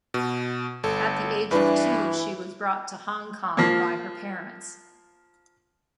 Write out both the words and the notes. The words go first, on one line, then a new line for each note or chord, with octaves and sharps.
At the age of two, she was brought to Hong Kong by her parents.
B2
G1 A4
G2 E3 D4
F3 A#3